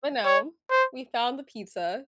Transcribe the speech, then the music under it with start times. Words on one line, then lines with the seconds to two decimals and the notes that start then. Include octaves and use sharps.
But no, we found the pizza,
0.25 C#5
0.70 C5